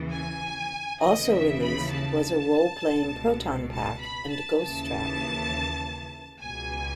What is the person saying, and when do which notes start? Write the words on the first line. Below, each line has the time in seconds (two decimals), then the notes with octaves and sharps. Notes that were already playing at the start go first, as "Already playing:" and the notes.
Also released was a role playing Proton Pack and Ghost Trap.
Already playing: D#2 C#3 E3
0.13 G#5
1.03 D#2 C#3 E3 D#5
1.33 E5
1.63 B5
1.93 A5
2.82 C#2 B2
3.72 A5
4.02 B5
4.32 A5
4.61 D#2 C#3 E3 A5
6.41 C#2 B2 G#5